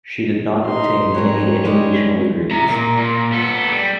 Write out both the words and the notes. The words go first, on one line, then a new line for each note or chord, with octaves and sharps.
She did not obtain any educational degrees.
D#4 C6
F2 G#2 A#4 C#5
G3 G#3 D#4
E5 A#5
A#2
A#2
B3 A4
G3